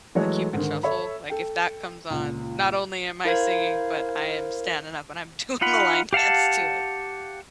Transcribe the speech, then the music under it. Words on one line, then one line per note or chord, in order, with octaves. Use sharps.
the "Cupid Shuffle," like, if that comes on, not only am I singing, but I am standing up and I'm doing the line dance to it.
E3 F#3 G#3 A3 A4 C#5
G#2 D3 D#3
A4 C#5 E5 B5
A4 G5
C#2 A#2
E4 A#4 C5 F5 G#6
D#4 F4 F#5 B5
G4 F5 F#5 A5